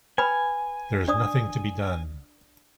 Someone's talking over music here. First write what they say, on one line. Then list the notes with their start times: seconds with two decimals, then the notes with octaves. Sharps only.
There is nothing to be done.
0.18 B4 G5 G#5 B5
1.08 D4 D5 D#6